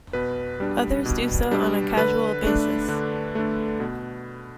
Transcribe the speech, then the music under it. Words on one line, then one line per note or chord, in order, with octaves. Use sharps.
Others do so on a casual basis.
B2 B4
G3 D4
B2
G3 D4
D3 B4
A3 D4
D3
A3 D4
B2